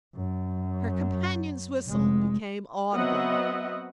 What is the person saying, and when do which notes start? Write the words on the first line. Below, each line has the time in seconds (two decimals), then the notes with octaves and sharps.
Her companion's whistle became audible.
0.16 F#2
1.88 F1 G#3
2.94 F#3 B3 C4 D#5 E5 F#5